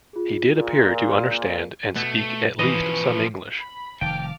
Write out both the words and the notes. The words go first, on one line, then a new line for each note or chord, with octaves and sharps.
He did appear to understand and speak at least some English.
F4 G#4
A#2
B2 A3
E3 F3 C#4 B4 D#5
B5
F1 D#3 F5 G5 A5 D6 F6